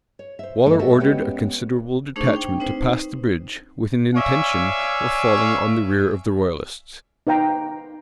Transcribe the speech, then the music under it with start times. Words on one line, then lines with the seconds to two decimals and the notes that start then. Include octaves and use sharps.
Waller ordered a considerable detachment to pass the bridge, with an intention of falling on the rear of the royalists.
0.19 C#5
0.39 C5 E5
0.66 G2 E3 A3 B3 D#4
0.79 F#4 G4 A4 C#5 D#5 E5
1.00 G#3 B3 C#4 G4 F#5 G5
2.16 A3 D4 D#4 G#4 C5 C#6
2.34 D4 G5
2.60 C4 D#4 B4 C5
4.15 C#5 D5 E5 F5 G#5
7.27 D#4 B4 F5 G5 A#5